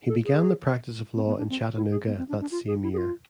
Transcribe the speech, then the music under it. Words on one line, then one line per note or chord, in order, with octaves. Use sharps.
He began the practice of law in Chattanooga that same year.
A4
G#4
C4
B3
D4
C4
E4
G#4
B3
C4
D4
D4
F4
G#4
E4
G#4
F4